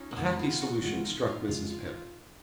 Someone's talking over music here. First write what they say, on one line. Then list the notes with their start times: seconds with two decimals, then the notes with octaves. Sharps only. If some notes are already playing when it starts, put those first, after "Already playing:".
A happy solution struck Mrs. Pett.
Already playing: C#4 D#4 F4
0.11 A#3
0.17 F2 C#3 G#3 B3
0.32 D#4
0.39 F4
0.61 F#4
0.82 F2 C#3 G#3 F4
1.05 D#4
1.27 F4
1.48 F2 C#3 G#3 F4
1.70 F4
1.86 F4